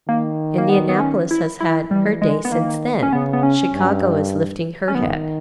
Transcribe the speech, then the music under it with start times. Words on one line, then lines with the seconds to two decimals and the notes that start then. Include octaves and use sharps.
Indianapolis has had her day since then, Chicago is lifting her head.
0.08 D#3 A#3
0.58 A#3
0.69 B3
0.89 B3
1.00 C#4
1.31 E4
1.60 E4
1.90 E3 G3
2.22 G#3
2.45 B3
2.52 D#3 A#3
3.03 C#4
3.13 C#3 B3
3.33 B3
3.43 C#4
3.73 G2
4.88 C#4
4.95 D#3 B3